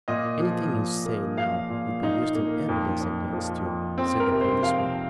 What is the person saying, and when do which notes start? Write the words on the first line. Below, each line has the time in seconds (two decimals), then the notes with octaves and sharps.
"Anything you say now will be used in evidence against you," said the policeman.
0.08 A#2 D#5
0.40 F3
0.73 A#2
1.05 A#3
1.38 F3 F5
1.70 A#2
2.02 A#2 D#4
2.35 A#3
2.69 F2
3.01 F2
3.33 F3
3.65 F2
3.98 F2 C4
4.20 A#4
4.31 C3
4.41 C5
4.62 F3 F5